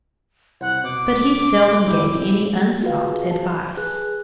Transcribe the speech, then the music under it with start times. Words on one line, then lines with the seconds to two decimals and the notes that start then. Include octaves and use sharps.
But he seldom gave any unsought advice.
0.61 C2 F#5
0.84 B2 D6
1.59 G#5 A#5 C6
1.86 A#1 E4 G4
2.83 F4 F#4 G#4 B4 F5
3.31 A5
3.77 G#4 B4 F#6